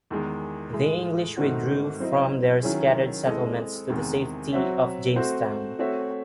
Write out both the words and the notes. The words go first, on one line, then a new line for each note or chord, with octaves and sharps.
The English withdrew from their scattered settlements to the safety of Jamestown.
E2 D#3 G#3
A2 E3 G#3
G#2 D#3 A3 C4 F#4
F#3 C4 E4 C5 D#5
D#3 F#3 C#4 E4 G#4
G#3 C4 E4 A4 D#5
E2 C3 D#3 G#3
F#3 C4 F#4 C#5 E5
A3 C4 F#4 C5
A3 C4 F#4 C#5 E5